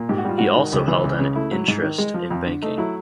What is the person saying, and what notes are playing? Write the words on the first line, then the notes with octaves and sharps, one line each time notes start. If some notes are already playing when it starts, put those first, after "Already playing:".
He also held an interest in banking.
Already playing: A#2
G#2 G4
F#4
G3 F4
G#2 F#4
D#3
C#2 G4
E3
C#2
C#3
A3 E4
F#3
G#2
D#3
G#3
F3
F2
D3
A3 D#4
F#3 E4